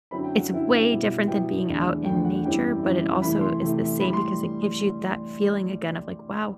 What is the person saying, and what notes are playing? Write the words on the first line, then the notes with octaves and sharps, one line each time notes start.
it's way different than being out in nature, but it also is the same because it gives you that feeling again of like, "Wow.
F#2 D3 F#3 C4 E4 B5
G5
F#5
F#2 D3 F#3 C4 E4
B2 G3 B3 E4
B2 G3 B3 E4 G5
E2 D3 A3 D4
E2 D3 A3 D4 G5
F#5
F#2 E3 G3 C4 E4 G5
F#2 E3 G3 C4 E4
C3 E3 A3 E4 B5
C6
C3 E3 A3 E4
A2 E3 G3 B5
C6